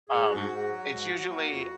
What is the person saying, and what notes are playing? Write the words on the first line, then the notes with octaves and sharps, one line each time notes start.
um, it's usually,
G#2 G#4
G#2 F#4
G#2
F#3
G#2
F#3
A#3
F2